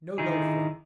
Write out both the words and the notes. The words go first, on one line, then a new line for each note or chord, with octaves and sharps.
No loafing!
D3 D#3 D#4 E4 G#4